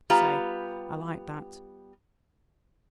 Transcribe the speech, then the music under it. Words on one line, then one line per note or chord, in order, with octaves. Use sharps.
Say, I like that!
G3 B3 F4 G4 A#5